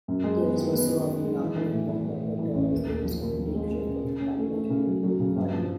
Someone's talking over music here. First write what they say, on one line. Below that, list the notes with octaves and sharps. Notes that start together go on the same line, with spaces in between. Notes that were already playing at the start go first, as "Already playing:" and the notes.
Davis was often an opponent of Robert Doyle's leadership of the parliamentary Liberal Party.
F#2
G#3
B3
D#3
B3
D#3
D#3
G#3
E3
E3
A2
E3
E3
A2
E3
A1
D#2
D#2
F3
D#2
F3
G#3
G#3
C#3
C#3
C#4
A3
A3
C#3
F#3
F#3
C#3
G2
F3